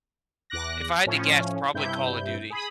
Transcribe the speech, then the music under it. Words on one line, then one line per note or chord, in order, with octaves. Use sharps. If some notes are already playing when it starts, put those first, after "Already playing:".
If I had to guess, probably Call of Duty.
E2 D6 F#6 A#6
A2 F3 C#4
G2 C3 E4 G6
G#4 B5 D#6